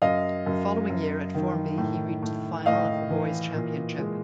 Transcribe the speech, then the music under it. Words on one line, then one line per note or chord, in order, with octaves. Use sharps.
The following year at Formby he reached the final of the Boys Championship.
F#2 D#5 F5
F#2
F#2
D#3
A2
A2
A2 D#5 F5
E3
A#2
G#3